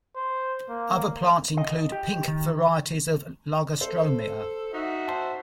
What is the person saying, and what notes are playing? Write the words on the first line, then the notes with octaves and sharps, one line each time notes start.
Other plants include pink varieties of Lagerstroemia.
C5
A#3
D#5
G4
D#3
A4 C5
D#4 F#4 E5
C5 A5